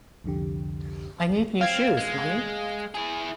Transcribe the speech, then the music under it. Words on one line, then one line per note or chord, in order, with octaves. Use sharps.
I need new shoes, mommy!
C2 F2 D3 G4
C4 F5 G#6
G#3
E4 G#4